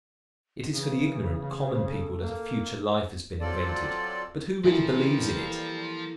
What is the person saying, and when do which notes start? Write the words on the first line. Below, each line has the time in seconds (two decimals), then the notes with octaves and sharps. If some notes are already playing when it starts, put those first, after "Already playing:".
It is for the ignorant, common people that a future life has been invented, but who really believes in it?
0.72 C#3 E3
1.59 C5
1.90 A4
2.22 A#3
3.40 F#3 C4 F4 A4 D5
4.64 E3 F3 G3 A#3 A4